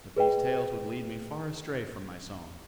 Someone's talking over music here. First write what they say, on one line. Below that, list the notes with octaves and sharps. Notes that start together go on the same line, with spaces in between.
But these tales would lead me far astray from my song.
G#4 B4 D#5 G5